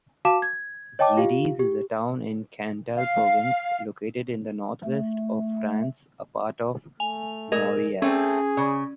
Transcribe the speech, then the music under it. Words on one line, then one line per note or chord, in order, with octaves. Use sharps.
Ydes is a town in Cantal Province, located in the Northwest of France, a part of Mauriac.
F#4 F5 A5 D6 E7
G#6
C#5 D#5 G5 A5 D6
F4 G4 F5
G4
F5
A3
A3 G#5 F7
A#2 G#4 A#4 D#5
A3 C4 C#4 G#4
C#3